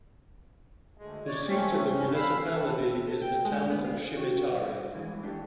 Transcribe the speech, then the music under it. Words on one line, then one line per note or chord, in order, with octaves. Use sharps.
The seat of the municipality is the town Schimatari.
D2 G#3
C#5 D5
A3 C4 C#4
G2 G3 C#4
F5 B5 E6
C4 A4
A4
G5
G#3
B3
F5
F#4 G5
G2
E3 G#3
D4 G4 A4